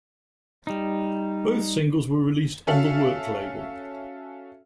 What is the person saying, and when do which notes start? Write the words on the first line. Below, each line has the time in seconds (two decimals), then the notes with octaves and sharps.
Both singles were released on the Work label.
0.67 G3 D#4
2.67 C#4 F#4 A4 E5 F5